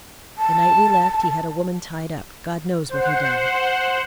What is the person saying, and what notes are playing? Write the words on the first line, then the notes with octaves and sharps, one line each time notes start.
The night we left, he had a woman tied up--God knows what he done.
A5
C5 F#5